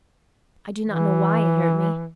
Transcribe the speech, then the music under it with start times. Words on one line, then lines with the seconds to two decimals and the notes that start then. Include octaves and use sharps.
I do not know why it hurt me.
0.88 E3